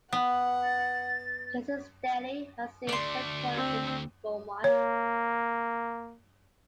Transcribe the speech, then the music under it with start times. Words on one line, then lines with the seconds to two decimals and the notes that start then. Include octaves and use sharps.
Jason's Deli has its headquarters in Beaumont.
0.13 B3 F#5
0.63 A6
2.89 D2 A3 D5 C6
3.55 C4
4.64 A#3 C#5